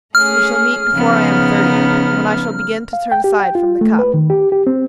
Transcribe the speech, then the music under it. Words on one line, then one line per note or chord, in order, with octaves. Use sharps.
We shall meet before I am thirty, when I shall begin to turn aside from the cup.
A3 C#4 G#4 F6
C#3 F3 B3 D#4
F5
G5
G4
G5
F4
A3
B4
D#3
G4
G4
C4